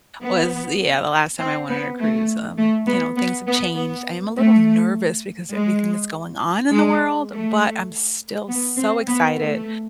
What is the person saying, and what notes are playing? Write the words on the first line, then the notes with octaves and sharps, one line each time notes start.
was, yeah, the last time I went on a cruise, um, you know, things have changed. I am a little nervous because everything that's going on in the world, but I'm still so excited
B3
C4
B3
A3
A3
B3
B3
B3
B3
A3
G#3
G#3
A3
B3
C4
B3
A3